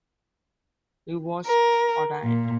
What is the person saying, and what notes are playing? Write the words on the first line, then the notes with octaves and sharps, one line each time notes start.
He was ordained.
A#4
A#2